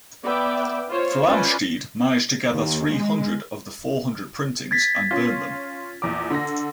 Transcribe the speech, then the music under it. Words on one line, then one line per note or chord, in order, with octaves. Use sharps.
Flamsteed managed to gather three hundred of the four hundred printings and burned them.
B3 B4 D5 E5 G5
F4 C5 C#5
C#4 F4 B4 C5 D5
D#2
G#3
G#6 A6 B6
C#4 F4
A#1 E2 D6
D3 A#6